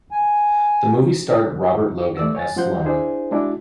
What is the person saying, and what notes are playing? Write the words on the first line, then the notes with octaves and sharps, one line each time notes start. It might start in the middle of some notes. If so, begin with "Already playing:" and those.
The movie starred Robert Logan as Sloane.
G#5
A3 D5 E6
C#5 G#5 A6
F#2 F3 F#3 F#5 C6 G6
D4 E4 G#4 C5
G#3 D4 E4 F#4